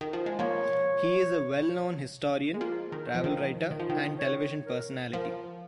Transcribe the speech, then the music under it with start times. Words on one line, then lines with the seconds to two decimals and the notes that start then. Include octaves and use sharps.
He is a well-known historian, travel writer and television personality.
0.01 D#3
0.13 F3
0.26 G#3
0.39 F3 A#3 C#5
2.54 G#3
2.61 F3 A#3
2.92 D#3
3.15 F3
3.24 D#3
3.71 D#3
3.79 F3
3.89 D#3
4.19 C#5
4.66 A#4
5.13 F3 A#4